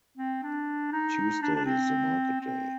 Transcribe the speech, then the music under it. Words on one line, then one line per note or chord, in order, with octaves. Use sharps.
Tuesday is the market day.
C4
D4
D#4
D4
D4
C4
C4